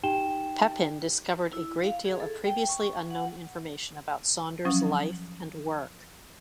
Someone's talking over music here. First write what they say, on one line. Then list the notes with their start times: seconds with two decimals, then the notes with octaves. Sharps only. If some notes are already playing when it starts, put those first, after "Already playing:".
Peppin discovered a great deal of previously unknown information about Saunders' life and work.
0.03 D#4 G4 G5 E7 G7
1.53 E4
1.84 F5
2.05 G#4
2.20 A4
2.45 G5
2.69 C#6
3.11 F#5
4.65 F3 F#3 C#4 D#6